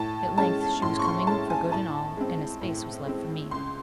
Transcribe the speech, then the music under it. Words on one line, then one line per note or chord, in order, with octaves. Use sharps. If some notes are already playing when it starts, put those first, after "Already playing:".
At length she was coming for good and all, and a space was left for me.
Already playing: A2 A5
G#3 C#4 A5
A2 C6
C#6
C6
G#3 C#4 A5
G#5
A2 A5
G#3 C4
A2
G#3 C4
C#2 C6